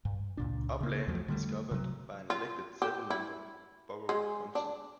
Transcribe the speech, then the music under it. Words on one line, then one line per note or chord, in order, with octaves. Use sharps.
Upland is governed by an elected seven-member borough council.
G2
C#2 A#2 D4
C#3 A#3
E2 F3 F#3 A3
D3 G3 A3
C3 F#3
F4
G4
E4
G#3
D4